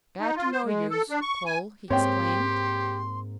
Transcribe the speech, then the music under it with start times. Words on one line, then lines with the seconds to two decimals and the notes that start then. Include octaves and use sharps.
"Glad to know youse, cull!" he exclaimed.
0.20 D#4
0.36 F4
0.51 C5
0.65 G#3
0.90 A4
1.10 D4
1.21 C#6
1.45 G#5
1.90 G#2 A#3 C4 G4 C#5 G5 C6